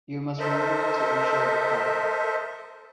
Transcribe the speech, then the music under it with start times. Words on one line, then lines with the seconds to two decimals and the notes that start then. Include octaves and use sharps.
You must remember to insure the car.
0.39 A4 A#4 C5 D#5 E5